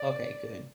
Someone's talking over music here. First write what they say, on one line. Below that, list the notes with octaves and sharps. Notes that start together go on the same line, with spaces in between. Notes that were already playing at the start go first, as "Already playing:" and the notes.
Okay, good.
Already playing: D5